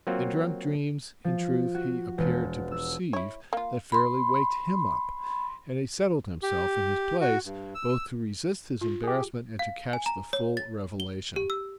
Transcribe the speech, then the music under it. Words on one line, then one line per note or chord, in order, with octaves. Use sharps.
They dreamt dreams, in truth, he appeared to perceive, that fairly waked HIM up, and he settled himself in his place both to resist his embarrassment and to catch the full revelation.
F#3 A#3 C4 F4 F#4
F3
F#4
E1
E6
E4 C#5
A#3 F4
B5 C6
G4
F#4
G2
E6
F4
G4 G#4
F5
G#5
A#5
C#5
A6
G7
G4
E6